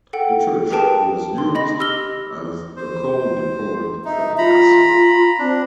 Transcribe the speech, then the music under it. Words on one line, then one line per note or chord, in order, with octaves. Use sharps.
The church was used as the coal depot for the castle.
A4 F#5 G5
G4 G#4 A#4 B4 G5 A5
C6
D#5 B5 A#6
G4 E6 F6 A#6 G7
C5
D#4 E5
F4 A#5 B5
C4 D4